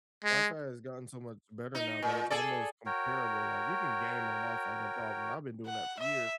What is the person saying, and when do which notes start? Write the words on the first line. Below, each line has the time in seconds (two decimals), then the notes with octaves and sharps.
Wi-Fi has gotten so much better now that it's almost comparable like, you can game on Wi-Fi, no problem, and I've been doing that for years.
0.24 G#3
1.75 D#4
2.02 A#2
2.30 G#4 A4 D5
2.86 F#4 A#4 C#5 G5
5.66 F#5
5.99 E5